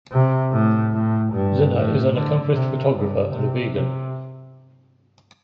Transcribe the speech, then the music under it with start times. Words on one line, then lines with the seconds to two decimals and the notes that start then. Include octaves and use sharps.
Zinner is an accomplished photographer and a vegan.
0.12 C3
0.52 A2
0.93 A2
1.33 G2
1.73 A2
2.14 D3
2.54 C3
2.94 G2
3.34 C3
3.75 C3